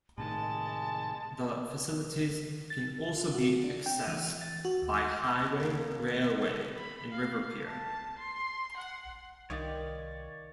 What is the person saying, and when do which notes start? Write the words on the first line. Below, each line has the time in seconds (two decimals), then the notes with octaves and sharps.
The facilities can also be accessed by highway, railway and river pier.
0.18 A2 C3 D#3 G#3 A5
2.70 A6
3.16 F4
3.35 F#4
3.64 D4
3.86 G5
4.08 E3
4.41 A6
4.65 F#4
4.82 D#2
5.60 A#3
6.77 B5
7.12 F5
7.66 A5
8.19 C6
8.77 F#5
9.50 C2 D#3 F4 G4 C#5 D5